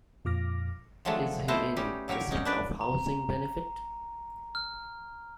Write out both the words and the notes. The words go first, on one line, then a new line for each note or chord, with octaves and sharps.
Is he in receipt of housing benefit?
F2 A#2 F4 D6 F6 A#6
D#3 F3 F#3 G#3 A3 D4
B2 A3 E4 C5 D#5 A5
G3 C#4 D#4 G4
A#2 F#3 G4 A#4 C#5
C#4 D#4
D4 B4 D5
A#5
F6